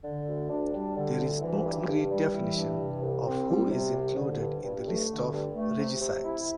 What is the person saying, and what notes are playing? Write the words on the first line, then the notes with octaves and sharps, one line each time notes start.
There is no agreed definition of who is included in the list of regicides.
D3
D2
D4
G3
D3
D2
E3
G2
G2
G3
E3
G2
C3
C2
C4
G3
C3
C2
D3
G2
G2
A3
D3
G2
A3
C3
C3
E4